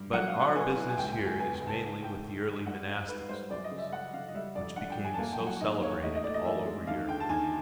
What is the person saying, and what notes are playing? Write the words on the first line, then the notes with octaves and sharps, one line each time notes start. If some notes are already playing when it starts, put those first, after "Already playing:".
But our business here is mainly with the early monastic schools, which became so celebrated all over Europe.
Already playing: G2
F#3 F#5
F5
F#3
F#5
B3 G#5
E4
G#5
C#2 G5
G5
C#2
G#5
B3 G#5
G#5
C#2
A5
G#2
G#2 G5
G#2
D#3
G3 F#5
G3 F5
G#2 B4
G3 C5
F#2 D5
D#5
C#3
E5
F#2 F#5
C#3 F5
D#5
G3 E5
F2 D5
D3 F#5
G5
G3
G#5
A5
A#3 G#5
G5
F#3
F#5
D#3 D#5
A#3 C#5
A2 D#5
D#5
A2 D5
D#5
E3 E5
G#3
D#2 F5
D3 G5
A5
D#2 G#5